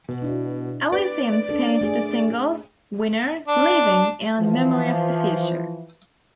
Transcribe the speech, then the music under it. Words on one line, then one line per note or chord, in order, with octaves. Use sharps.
Elysium spawned the singles "Winner", "Leaving" and "Memory of the Future".
B2
D4 E4
B4 D5
C#4 D4 A4
A3 G#4
D4
E3 F3